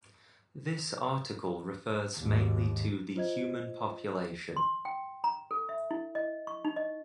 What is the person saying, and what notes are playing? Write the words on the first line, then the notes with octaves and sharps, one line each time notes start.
This article refers mainly to the human population.
D#2 G#2
F4 C5 D#5 G#6
C6
G5
A#5
A4
E5
E4
D#5
C#6
D#4
D#5